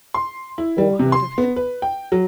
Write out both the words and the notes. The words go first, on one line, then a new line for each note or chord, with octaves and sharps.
"Or heard of him?"
C6
E4
G3
C3
C6
B3
B4
G5
F#3